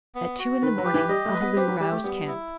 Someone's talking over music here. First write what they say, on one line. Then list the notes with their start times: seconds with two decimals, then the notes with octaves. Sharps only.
At two in the morning a halloo roused camp.
0.15 B3
0.38 F#4
0.62 D#3 B4
0.78 F#3
0.85 G4
0.94 E3
1.09 G3 D#5
1.25 A3
1.33 B4
1.40 B3
1.56 C4 G4
1.68 F#3
1.80 G3 G4
1.92 A3
2.03 G3 B3
2.27 E4